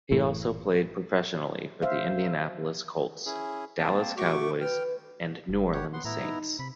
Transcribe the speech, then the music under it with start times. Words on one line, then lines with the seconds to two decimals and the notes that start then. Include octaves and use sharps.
He also played professionally for the Indianapolis Colts, Dallas Cowboys, and New Orleans Saints.
0.11 F#1 A2 E3 A3
1.82 C5 E5 F5
3.26 C#4 E4 G#4
3.79 A#3 C4 A5
4.17 A3 F#4 C#6 D6
4.61 B4 G5 F6
5.49 G1
5.73 G4 C#5 F#5
5.93 B3 F#5 C6
6.05 A2 B3 E4 A#5
6.24 D#4
6.59 C3 B5